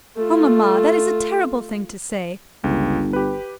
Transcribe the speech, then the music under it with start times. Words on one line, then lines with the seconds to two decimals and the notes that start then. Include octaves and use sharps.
Oh, mamma, that is a terrible thing to say.
0.16 A3 F4
2.64 G1 C#2
3.13 G4 B4